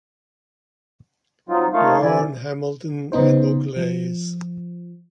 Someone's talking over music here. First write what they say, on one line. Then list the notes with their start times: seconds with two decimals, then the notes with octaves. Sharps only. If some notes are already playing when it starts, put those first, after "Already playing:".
Warren, Hamilton and Auglaize.
1.49 F#3 C4 D#4 F4
1.73 A3 A#3 D#4 F4 C#5 F5
2.02 C3 E3 E4 D5 G#5
3.12 C#3 B3 D#4 C5
3.76 F3